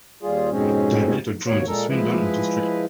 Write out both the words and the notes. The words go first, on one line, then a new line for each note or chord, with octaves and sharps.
They later joined the Swindon and District League.
D#2 G3 F4 G#4
F2 G#2 B2 G#3 C4 C#4
D#2 B2 C#5
A#2 G#3 A4 A#4
F3 G#3 E4 B4